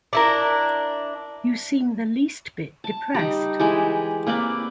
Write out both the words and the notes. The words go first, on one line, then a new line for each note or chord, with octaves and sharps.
You seem the least bit depressed.
D4 E4 A#4
A5
G3 D#4
E3 G#3 G4
A#3 C4 B4 D5